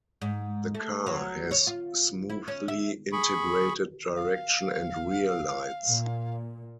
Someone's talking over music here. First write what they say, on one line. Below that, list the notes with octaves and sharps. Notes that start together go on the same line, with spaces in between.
The car has smoothly integrated direction and rear lights.
G#2
A3
F#3
C#5
F4
E4
C#4
E5
G#4 B5 C#6
F5
A#2